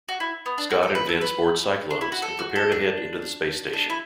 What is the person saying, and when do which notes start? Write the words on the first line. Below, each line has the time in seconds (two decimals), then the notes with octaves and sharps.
Scott and Vince board Cyclones, and prepare to head into the space station.
0.09 F#4
0.20 E4
0.46 B3
0.58 D4
0.70 F#4
0.83 A4
0.95 B4
1.09 A4
1.21 B4
1.91 D4
2.01 E4
2.12 F#4
2.22 A4
2.39 F#4
2.56 A4
2.72 D4
3.73 D4
3.90 E4